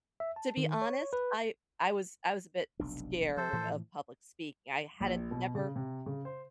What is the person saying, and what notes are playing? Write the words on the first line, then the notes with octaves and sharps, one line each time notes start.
to be honest, I I was I was a bit scared of public speaking, I hadn't never
E5
A5
D#3
C#5
B4
F1 B1 D4
F3 A4 C5
A2 E3 F3
A#1
B2
C#3
C3
C#3
C5